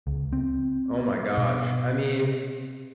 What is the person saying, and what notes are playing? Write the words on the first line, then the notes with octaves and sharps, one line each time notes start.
Oh my gosh, I mean,
C#2
C4
B2